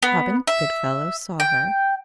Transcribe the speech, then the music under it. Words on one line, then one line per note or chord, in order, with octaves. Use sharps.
Robin Goodfelllow saw her.
B3
E5
G5